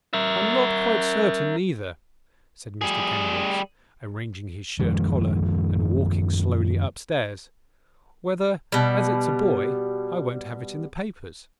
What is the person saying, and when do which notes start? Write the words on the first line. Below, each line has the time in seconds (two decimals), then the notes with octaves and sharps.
'I'm not quite certain neither,' said Mr Kenwigs, arranging his shirt-collar, and walking slowly upstairs, 'whether, as it's a boy, I won't have it in the papers.'
0.14 A#4 E5
2.81 G3 G#4
4.79 F#2 D#3 F3 G#3
8.72 B2 G3